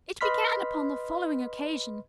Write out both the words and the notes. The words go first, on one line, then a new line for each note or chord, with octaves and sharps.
It began upon the following occasion.
B4 D#5 B5 C6 F6 B6